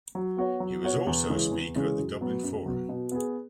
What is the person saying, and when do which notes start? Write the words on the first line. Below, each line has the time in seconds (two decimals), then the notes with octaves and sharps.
He was also a speaker at the Dublin Forum.
0.15 F#3
0.37 B3 F#4 C#5
0.60 F#3
0.83 B3 F#4 C#5
1.07 E2
1.29 C#3 E3 G#3 C#4
1.51 E2
1.75 C#3 E3 G#3 C#4
1.98 F#2
2.21 F#3 B3
2.43 F#2
2.66 F#3 B3
2.89 B2
3.12 B3 G#4